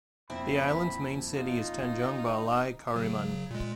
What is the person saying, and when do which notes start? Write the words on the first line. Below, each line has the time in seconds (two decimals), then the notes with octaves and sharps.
The island's main city is Tanjung Balai Karimun.
0.30 F2 A#2 C4 E4 B5
1.34 D#4 F4
2.96 C#3 F#3
3.51 A#2 G#3